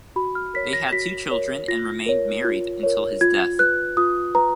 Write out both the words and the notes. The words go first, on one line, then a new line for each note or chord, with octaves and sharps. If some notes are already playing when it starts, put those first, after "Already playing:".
They had two children and remained married until his death.
F#4 B5
F6
A#4 C#5 B6
A#6
F#4 B6
A#4 C#5
F4 A#6
A#4 C#5
F4
A#4 C#5
F4 G#6
B4 F#6
F4 D#6
B4 A#5